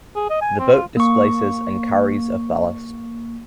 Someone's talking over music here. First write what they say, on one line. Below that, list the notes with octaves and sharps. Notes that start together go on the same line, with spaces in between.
The boat displaces and carries of ballast.
G#4
D#5
G#5
C4
F4
A#3 C#6